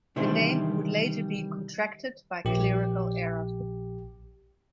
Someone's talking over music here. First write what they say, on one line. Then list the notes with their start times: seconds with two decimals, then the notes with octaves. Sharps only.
The name would later be contracted by clerical error.
0.16 C3 D#3 E3 G3 C4 D4
2.45 A#1 G4